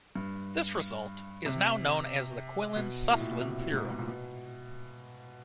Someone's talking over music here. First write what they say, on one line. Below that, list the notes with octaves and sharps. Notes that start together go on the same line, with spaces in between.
This result is now known as the Quillen-Suslin theorem.
G2
C3
B2
A2
A#2
B2
C3
A2
G#2
B2
A#2
B2